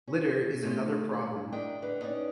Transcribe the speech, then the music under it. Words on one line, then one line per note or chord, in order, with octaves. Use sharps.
Litter is another problem.
C#4
A3 A#3 C#4 D#4 F4
E4
D4 A#4 D#5 E5 G5
D3 B4
C#4 D#4 D5 D#5